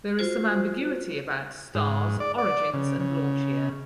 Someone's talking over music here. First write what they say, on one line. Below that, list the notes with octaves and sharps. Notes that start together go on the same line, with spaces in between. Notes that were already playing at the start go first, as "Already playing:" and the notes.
There is some ambiguity about "Star"s origins and launch year.
F4 F#4 C5
G#2
D5
D5
C#3
C#3